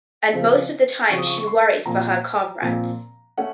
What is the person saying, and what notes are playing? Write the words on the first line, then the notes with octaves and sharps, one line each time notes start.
And most of the time, she worries for her comrades.
C#3 F3 C4
C#3 F3 C4 C#6
D#6
C#6
C#6
C6
A#2 F3 C4 A#5
A#2 F3 C4
A3 C#4 F#5